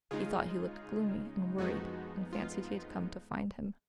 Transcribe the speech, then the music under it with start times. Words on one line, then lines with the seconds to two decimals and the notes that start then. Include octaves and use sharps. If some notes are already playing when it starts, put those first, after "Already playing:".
He thought he looked gloomy and worried, and fancied he had come to find him.
0.11 C#3 G#3 D#4 F4 G#4
1.58 F2 F3 G#3 B3 D#4 F#4
2.33 F4